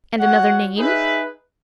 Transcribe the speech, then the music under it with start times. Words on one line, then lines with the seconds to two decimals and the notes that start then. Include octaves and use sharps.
"And another name?"
0.18 F#4 C#5 F#5
0.75 D#4 G#4 B4 E5